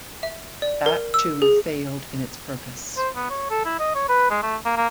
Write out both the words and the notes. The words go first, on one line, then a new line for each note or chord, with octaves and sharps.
That, too, failed in its purpose.
E5
D5
A#4
E6
G#4
C5
B3
C#5
A4
E4
D#5
C#5
B4
G#3
A3
A#3
A#3